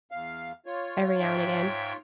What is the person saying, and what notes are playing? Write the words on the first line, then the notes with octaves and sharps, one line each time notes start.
every now and again,
E2 F5
F4 C#5
G#2 E5 G5